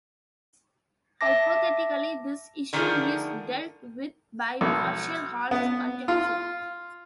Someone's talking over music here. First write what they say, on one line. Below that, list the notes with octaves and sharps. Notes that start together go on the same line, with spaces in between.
Hypothetically this issue is dealt with by Marshall Hall's conjecture.
E5 A5 D6 A#6
D3 D#3 F3 A3 G#4 A#4
B1
B3
F4